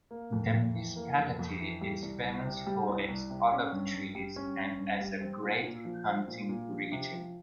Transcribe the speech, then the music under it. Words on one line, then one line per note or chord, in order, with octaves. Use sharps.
The municipality is famous for its olive trees and as a great hunting region.
A#3
F2
F2
E3
A#3
F2
F2
E3
G3
C2
C2
C3
G3
C2
C2
C3
C#4
G2
G2
G3
C#4
G2
G2
G3
C4
A#2
A#2
F3
C4
A#2
A#2
F3
C3
F3